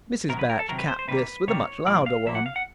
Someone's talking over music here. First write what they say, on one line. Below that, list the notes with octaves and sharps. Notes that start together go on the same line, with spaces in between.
Mrs. Batch capped this with a much louder one.
C3 D#3 F#3 A#4
B4
A#4
A4
C3 D#3 F#3 A#4
B4
C5
C5
C3 D#3 G3 A#3 B4
C3 D#3 G3 A#3 C#5
A#2 F3 A#3 D5
F5
A#2 F3 A#3 E5
F#5
F5
F#5